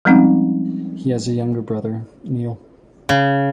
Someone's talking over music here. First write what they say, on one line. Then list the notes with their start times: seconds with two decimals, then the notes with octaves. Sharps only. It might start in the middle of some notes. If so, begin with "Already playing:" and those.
He has a younger brother, Neil.
0.05 F3 G3 G#3 C4 C#4 D#4
3.09 C#3